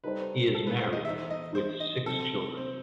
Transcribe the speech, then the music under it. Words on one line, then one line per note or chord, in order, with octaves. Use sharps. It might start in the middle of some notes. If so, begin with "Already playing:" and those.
He is married with six children.
G3 D#4 A4 B4 C5
A4
B4
C5
D#5
E3 B3 D#4 A4 C5 E5
D#5
C5
D#5
C3 F#3 C4 A4
C4